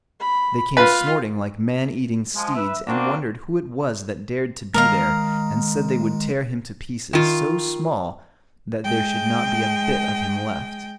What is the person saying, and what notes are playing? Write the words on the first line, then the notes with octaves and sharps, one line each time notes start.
They came snorting like man-eating steeds, and wondered who it was that dared to be there, and said they would tear him to pieces, so small that there should not be a bit of him left.
B5
F4 B4
F3 G#3
B4 E5
A#3 C4 D4 F#4
D#3 G#3 A#4 D#5 F5
D#3 F4
G#3 G5